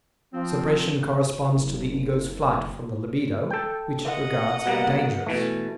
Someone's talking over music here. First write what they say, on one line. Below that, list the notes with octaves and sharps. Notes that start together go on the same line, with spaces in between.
Suppression corresponds to the ego's flight from the libido, which it regards dangerous.
F3 C4
F#1
A4 G5
D#5 F#5
B2 G3 A#3
B2 E3 A3